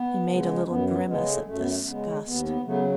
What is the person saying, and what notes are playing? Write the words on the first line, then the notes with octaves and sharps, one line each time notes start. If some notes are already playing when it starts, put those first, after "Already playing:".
He made a little grimace of disgust.
Already playing: B3
C#3 G#3
F#2 B3
B3
C#3 G#3 B3
A3
F#2 A3
B3
A3
A3
C#3 G#3 B3
D#2 B3
B3
C#3 F#3 A3 B3